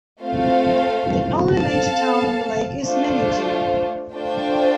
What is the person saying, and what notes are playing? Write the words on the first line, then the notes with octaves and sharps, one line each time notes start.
The only major town on the lake is Meningie.
A3 C4 F4 C5 F5
C4 A4 F5 A5
A3 D4 F4 C5
A3 D4 F4 C5 G5